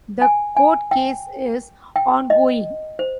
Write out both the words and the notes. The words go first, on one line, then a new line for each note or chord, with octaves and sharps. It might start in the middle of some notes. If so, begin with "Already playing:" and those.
The court case is ongoing.
G#5
G#5
G5
G5
D#5
C5